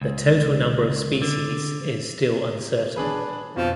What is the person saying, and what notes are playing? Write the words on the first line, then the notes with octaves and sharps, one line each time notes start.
The total number of species is still uncertain.
C#2
D3
D4 G#4 B4
F2 B2 F3